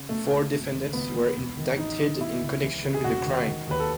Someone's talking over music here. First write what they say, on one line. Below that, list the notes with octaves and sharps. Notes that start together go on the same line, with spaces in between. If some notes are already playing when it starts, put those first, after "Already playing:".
Four defendants were indicted in connection with the crime.
Already playing: C#3
B2 A3
C#2
G#1
D#3
C#2 B3
E3
E1
D#3
A1 D#4
D#3
B2 E4
C#2
E3
C#3
G#4
E1 F#4
D#3
D#3
D#2 B4
A4